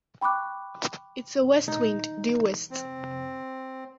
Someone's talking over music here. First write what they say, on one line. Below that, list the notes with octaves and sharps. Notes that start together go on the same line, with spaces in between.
It's a west wind, due west!
G5 B5 C#6 D6 F#6
D#4
C4